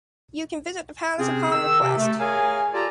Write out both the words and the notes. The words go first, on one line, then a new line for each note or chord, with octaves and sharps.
You can visit the palace upon request.
C3 C4 C#4 G#4
D#3 E6
C3
A3
G#4 A#4 C#5 F5 G#5
F4 G4 A4 D5 A5 A#5